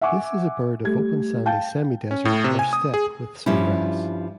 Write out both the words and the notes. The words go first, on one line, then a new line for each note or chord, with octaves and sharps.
This is a bird of open sandy semi-desert or steppe with some grass.
E5 F#5 G#5 C#6 D6
G3 A3 G#6
F5 G5 A5 G6
C#4
A2
C3
G#5
D#6
G#4
G2 F3 G3 C#4 E4